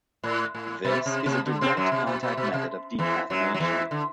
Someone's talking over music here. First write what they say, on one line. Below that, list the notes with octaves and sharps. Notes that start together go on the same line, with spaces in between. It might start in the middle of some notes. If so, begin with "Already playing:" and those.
This is a direct-contact method of decaffeination.
A2
A2
B2
C3
C3
D3
C3 C4
F#2 F#3
C3
B2
B2
B2
C3
E2 E3
F#2 F#3
F#3
E2 E3
D3